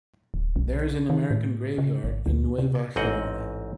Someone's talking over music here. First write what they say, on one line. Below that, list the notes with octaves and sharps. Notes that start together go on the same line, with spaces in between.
There is an American graveyard in Nueva Gerona.
D1
B1
D#3
A2
C#3
G#1
D2
C3
A1 G#2 C4 D#5 F#5